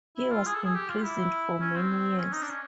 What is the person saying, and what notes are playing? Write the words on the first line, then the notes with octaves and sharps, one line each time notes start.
He was imprisoned for many years.
E4
F4
G#4
A4
G#4
G4
F4
E4
C#4
C4
C#4
D#4
D4
C#4